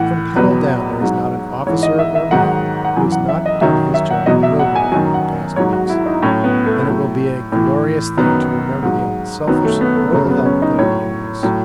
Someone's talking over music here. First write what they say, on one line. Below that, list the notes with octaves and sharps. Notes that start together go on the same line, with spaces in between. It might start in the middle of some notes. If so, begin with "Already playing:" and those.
From Pennell down there is not an officer or man who has not done his job nobly during the past weeks, and it will be a glorious thing to remember the unselfish loyal help they are giving us.
Already playing: A2 E3 F#5
E2 B2 F#3 B4
G#2 F#3
G#2 E3 C#5
D#5
E5
E5
G#2 D#3 F#3 F#5
F#5
F#2 E3 G#5
F#5
E5
D#5
F#2 D#3 F#3 E5
E5
F#5
E2 B2 F#3 D#5
E5
F#5
G#5
F#2 D#3 F#3 G#5
F#5
G#2 F#3 C#5
F#4
E4
D#4
A2 F#3 C#4
B3
A3
A2 F#3
A2 E3
F#2 D#3 F#3 B3
G#2 F#3
F#2 D#3 F#3 B3
A3
B3
A3
F#2 C#3 F#3 A3
B3
C#4
D#4
A2 F#3 C#5
A2 F#3